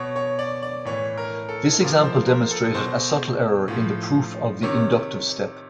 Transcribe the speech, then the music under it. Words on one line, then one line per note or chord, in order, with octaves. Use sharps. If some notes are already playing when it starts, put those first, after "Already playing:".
This example demonstrated a subtle error in the proof of the inductive step.
Already playing: B2 C#5
C#5
D5
D5
A2 E3 C#5
A#4
A4
A#2 F3 A#4
C5
A#4
A4
B2 C5
A2 F3
C3 D#3 C#5